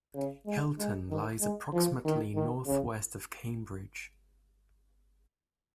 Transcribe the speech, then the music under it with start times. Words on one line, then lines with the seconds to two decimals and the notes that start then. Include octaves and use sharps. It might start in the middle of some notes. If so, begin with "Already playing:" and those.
Hilton lies approximately north-west of Cambridge.
0.15 C#3
0.46 G#3
0.79 G#3
1.10 D#3
1.41 G#3
1.73 F3
2.05 D#3
2.36 D#3
2.67 C#3